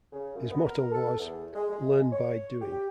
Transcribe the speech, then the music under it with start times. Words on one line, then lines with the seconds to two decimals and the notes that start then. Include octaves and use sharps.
His motto was "learn by doing".
0.12 C#3
0.35 F#2
0.50 B3
0.64 A#4
0.92 A4
1.18 E2
1.55 G#3
1.70 G#3
2.12 C#5
2.61 G4